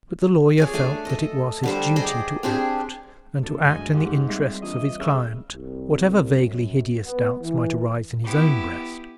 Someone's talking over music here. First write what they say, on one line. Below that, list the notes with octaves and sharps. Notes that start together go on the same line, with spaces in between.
But the lawyer felt that it was his duty to act, and to act in the interests of his client, whatever vaguely-hideous doubts might arise in his own breast.
G#4 C#5 D5
A3 D4 G#5 D6
A4 D#5
D3 G3 C5
G#4 D5 D#5 G5
C4 D4 G4 G#4
D2 C3 A4
F#2 G#3 D#5 G#5
G#2 F4 G4 F#5
G3 G#3 C4 E5
A#1 E3 D#5
C#3 A#4 D#5 E5
C2
F#2
B3
E3
B3 E4 G4